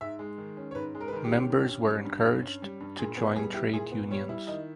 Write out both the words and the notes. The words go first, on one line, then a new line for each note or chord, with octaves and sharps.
Members were encouraged to join trade unions.
G#2 E5
G#3
D#3
C#4
C#5
G#2 B4
G#3
A#4
B4
D#3 A#4
G4
C#4
G2
C#4
G3
G2
G2
C#4
G3
G2
A#2 G#4
B3 G#4
G3 G#4
E4 G4
A#2 G#4
B3
G3 C#5
E4
D#3 D#5